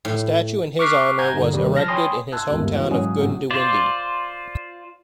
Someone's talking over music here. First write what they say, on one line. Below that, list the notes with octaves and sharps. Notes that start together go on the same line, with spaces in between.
A statue in his honour was erected in his hometown of Goondiwindi.
A2
C#6 D6 F6 F#6 B6 C7
F#5 G#5 A#5 G6 G#6
G2 D3 D#4
D#2 C3 D#3 G3
F3 A5 F6 A#6
C#5 G5 G#5 B5 C6 D#6
A5 C6 E6 F#6 G#6
G1 D#2 G#3
D#3 E3 F#4 C5
G#2 C#3 F#3 C#5 G#5 D#6
A1 C3 F#3
F4 C5 D5